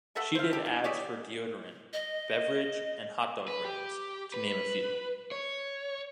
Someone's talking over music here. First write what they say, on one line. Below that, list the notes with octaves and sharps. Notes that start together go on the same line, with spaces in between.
She did ads for a deodorant, beverage and hotdogs brands, to name a few.
A3 A4 E5 F#5
C5 F5
G4 A4
D4
G4 G#4 C#5 D5
D#5
B4
G4
B4
C#5